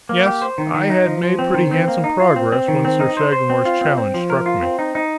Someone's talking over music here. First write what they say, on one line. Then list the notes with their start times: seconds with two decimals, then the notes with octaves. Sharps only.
Yes, I had made pretty handsome progress when Sir Sagramor's challenge struck me.
0.09 A#3
0.26 G4
0.42 C5
0.58 D#3
0.74 D#3
0.90 D#4
1.06 F3
1.23 F3
1.39 C4
1.54 D#3
1.71 C4
1.88 A#3
2.04 D#4
2.20 F4
2.36 C4
2.52 C4
2.68 D#3
2.85 C4
3.00 D#4
3.17 C5
3.33 C5
3.50 C4
3.65 F4
3.81 C4
3.98 C4
4.14 F3
4.30 A#4
4.46 F4
4.63 C4
4.79 D#4
4.95 D#4